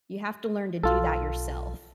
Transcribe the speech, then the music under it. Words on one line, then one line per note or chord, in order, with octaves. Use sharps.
you have to learn to do that yourself
B1 F4 A4